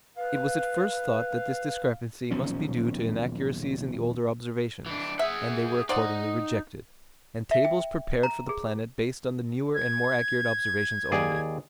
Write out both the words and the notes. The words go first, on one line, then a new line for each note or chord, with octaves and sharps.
It was at first thought that this discrepancy must be due to inaccuracies in the older observations, and they were accordingly rejected, and tables prepared for the planet based on the newer and more accurate observations only.
B4 F5
D#1 B1 F3 C#4
E3 D4
G#4 E5 F#5
D#4 C5 D5 F#5
E5
G5
A#5
G#4
G#6
D#2 G#4 D5